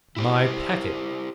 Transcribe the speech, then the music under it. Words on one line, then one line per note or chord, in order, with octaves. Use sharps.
"My packet?"
E4 G4 C5